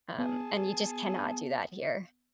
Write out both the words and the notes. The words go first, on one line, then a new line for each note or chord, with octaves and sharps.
Um, and you just cannot do that here.
B3 G#4 A5